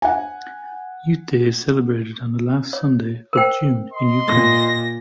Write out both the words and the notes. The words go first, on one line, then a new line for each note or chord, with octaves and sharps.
Youth Day is celebrated on the last Sunday of June in Ukraine.
F#5 G#5
C#5
A#4 C5 G5
D#5 C6
A#2 A#6